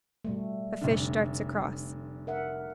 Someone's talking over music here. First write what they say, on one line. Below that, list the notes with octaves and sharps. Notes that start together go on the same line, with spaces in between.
A fish darts across.
B2 G3 A3
F1 D3
A#4 E5 F#5